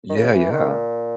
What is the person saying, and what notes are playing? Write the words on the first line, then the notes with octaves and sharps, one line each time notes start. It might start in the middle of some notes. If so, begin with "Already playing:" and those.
Yeah, yeah.
D#3
C#3
E3
D#3
A#2